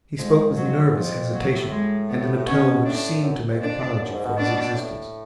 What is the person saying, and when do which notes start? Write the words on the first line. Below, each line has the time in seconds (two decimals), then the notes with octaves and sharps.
He spoke with nervous hesitation, and in a tone which seemed to make apology for his existence.
0.19 F2 G#3
0.57 F2 F#3
0.76 F#2
0.95 F2 F3
1.33 F#3
1.52 A2
1.71 G#3
2.09 B3
2.47 B2 C#4
2.66 B2
2.85 A2 D4
3.23 F#2
3.49 F2
3.61 D4
4.00 F#2
4.12 G#2
4.25 B2
4.37 B2 D4
4.75 A2